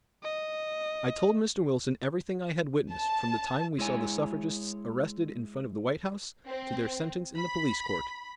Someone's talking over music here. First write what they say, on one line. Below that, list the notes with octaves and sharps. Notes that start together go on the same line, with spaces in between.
I told Mr. Wilson everything I had witnessed from the time we saw the suffragists arrested in front of the White House to their sentence in the police court.
D#5
A5
G#3 E4 C#5 G#5
C4
B5